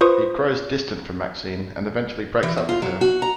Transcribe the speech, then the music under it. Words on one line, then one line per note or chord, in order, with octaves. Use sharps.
He grows distant from Maxine and eventually breaks up with her.
F4 B4 C5 C#6 D#6
E3
E2
F4
F#3
F#4
A#5